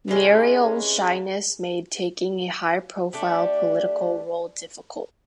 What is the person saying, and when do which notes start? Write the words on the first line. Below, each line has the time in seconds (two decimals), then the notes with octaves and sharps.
Muriel's shyness made taking a high-profile political role difficult.
0.08 C3 E3 G#3 C#4
3.13 A3 D4 G4